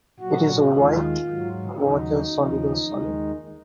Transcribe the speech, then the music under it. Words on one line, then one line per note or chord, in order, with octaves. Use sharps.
It is a white, water-soluble solid.
A#2 F#3 F#4
D#2 D#3 G#3 F4
G#2 F#3
D#2 C#3 F#3 D#4
D#2 C#3 F3
D#2 D#3 G#3